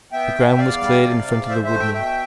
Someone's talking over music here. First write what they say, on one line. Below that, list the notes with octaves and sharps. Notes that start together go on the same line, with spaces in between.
The ground was cleared in front of the woodmen.
B3 E5 G5
B2
E2 D5 F5
G3
C3
E2
E2 C5 E5
C5 E5
A3
E5 G5
B2 E5 G5